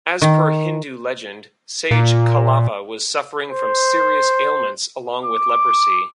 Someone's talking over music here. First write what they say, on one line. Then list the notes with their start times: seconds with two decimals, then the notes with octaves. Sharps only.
As per Hindu legend, Sage Kalava was suffering from serious ailments along with leprosy.
0.22 D#3
1.91 A#2
3.51 C5
5.25 D6